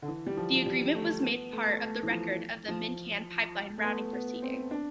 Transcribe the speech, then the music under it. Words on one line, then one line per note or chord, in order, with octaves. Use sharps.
This agreement was made part of the record of the MinnCan pipeline routing proceeding.
D3
E3
G3
F3
F3
G3
A3
B3
A3
A3
E3
F3
F3
A3
B3
B3
C4
D4